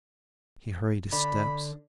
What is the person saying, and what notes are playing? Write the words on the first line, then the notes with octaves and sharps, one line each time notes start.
He hurried his steps.
D3 D4 D5 B5